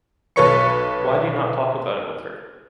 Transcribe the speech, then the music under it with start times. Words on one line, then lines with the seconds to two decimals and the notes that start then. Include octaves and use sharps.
Why do you not talk about it with her?
0.36 B1 A4 B4 C#5 C#6 C#7